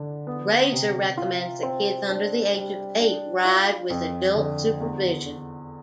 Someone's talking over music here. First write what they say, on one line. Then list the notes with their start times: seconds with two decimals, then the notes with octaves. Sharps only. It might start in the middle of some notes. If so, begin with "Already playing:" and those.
Razor recommends that kids under the age of eight ride with adult supervision.
Already playing: D3 D4
0.27 B3
0.72 C3
1.17 F4
1.63 C4
2.08 D4
2.54 G3
2.99 D4
3.45 F4
3.90 F2
4.35 D3
4.80 E2